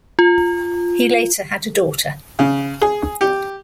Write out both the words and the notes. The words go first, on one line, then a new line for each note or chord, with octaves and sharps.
He later had a daughter.
F4
C#3
G#4
G4